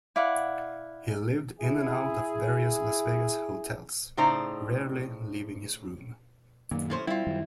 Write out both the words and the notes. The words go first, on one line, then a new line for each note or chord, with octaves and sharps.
He lived in and out of various Las Vegas hotels, rarely leaving his room.
E4 D5 F5 F#5
E4 G#4
A2 C#3 D#4 C5 D5 A#5
F#2 A#2 D#3
A2 C#4 C5
G3 C4 E4 F4
F#2 D#3 G3